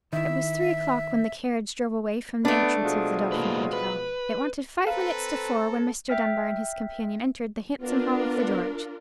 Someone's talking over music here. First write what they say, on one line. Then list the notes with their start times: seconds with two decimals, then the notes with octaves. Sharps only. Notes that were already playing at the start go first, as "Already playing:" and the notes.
It was three o'clock when the carriage drove away from the entrance of the Dolphin Hotel: it wanted five minutes to four when Mr. Dunbar and his companion entered the handsome hall of the George.
0.13 D#3 E4 E5
2.45 A3 B3 D4
2.82 B2 F3 G#3
3.32 A#3 E4 B4
3.73 B4
4.87 C4 A4 B4 F5 A#5
6.09 E5 G5 F6 B6
7.81 B3 D4 F4 A#4